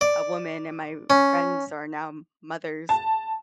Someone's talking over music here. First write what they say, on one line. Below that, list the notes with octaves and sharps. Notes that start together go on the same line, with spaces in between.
a woman and my friends are now mothers,
D5
C#4
A5